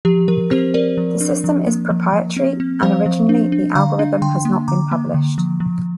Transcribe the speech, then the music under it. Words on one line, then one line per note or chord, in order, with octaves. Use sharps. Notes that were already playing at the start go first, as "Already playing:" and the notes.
The system is proprietary and originally the algorithm has not been published.
F3 G4
F3 A#4
C4 G4 C5
C4 A#4 D5
F3
D4
F3
A#3
F3
F3
C4
C4
F3 C5 F5
F3
D4
D4
D3 F5 A#5
D4
D3 G5 C6
A#3
D3 A#5 D6
A#3
D3
F3
F3